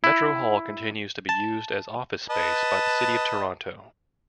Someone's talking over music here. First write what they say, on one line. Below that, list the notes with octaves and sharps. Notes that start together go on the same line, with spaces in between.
Metro Hall continues to be used as office space by the City of Toronto.
E4
A5
B4 D#5 A5